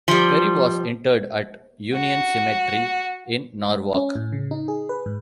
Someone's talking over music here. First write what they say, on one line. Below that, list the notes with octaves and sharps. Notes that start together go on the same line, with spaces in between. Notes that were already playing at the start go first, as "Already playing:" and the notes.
Ferry was interred at Union Cemetery in Norwalk.
F3 G3
F#4
C#4
A2
C#3
D#4
G#4
B4
G#2